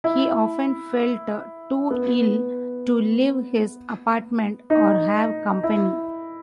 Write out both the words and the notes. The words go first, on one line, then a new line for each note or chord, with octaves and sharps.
He often felt too ill to leave his apartment or have company.
E4
B3
D#4
E4